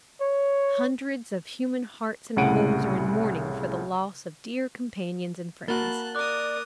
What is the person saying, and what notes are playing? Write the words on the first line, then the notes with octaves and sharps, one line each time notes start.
Hundreds of human hearts and homes are in mourning for the loss of dear companions and friends.
C#5
C2 A2 C#3 F#5 D7 D#7
A#3 F#4 A5 B5 F#6 A6 G7
A#4 D5 D6 D#6 F#6